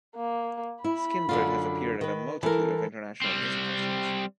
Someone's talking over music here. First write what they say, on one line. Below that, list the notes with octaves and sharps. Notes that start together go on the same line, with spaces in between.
Skindred has appeared at a multitude of international music festivals.
A#3
E4 B5
F#2 D3 F4
D#3 B4
E3 A4 A#4
G3 C4